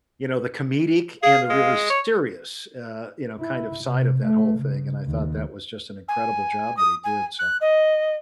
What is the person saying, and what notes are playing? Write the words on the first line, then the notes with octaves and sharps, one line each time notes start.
you know, the comedic and the really serious, uh, you know, kind of side of that whole thing, and I thought that was just an incredible job that he did, so.
G#4 F5
G#3
C#5
E4
C3
A3
C#3
D#2
G#5
D#6
G#5
F#6
D#5